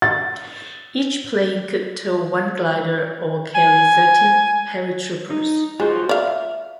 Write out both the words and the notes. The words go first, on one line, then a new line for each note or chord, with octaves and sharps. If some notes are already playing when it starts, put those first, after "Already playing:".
Each plane could tow one glider or carry thirteen paratroopers.
A6
G#5
D#4
G#3 F4 F#4 C5
D5 E5 F5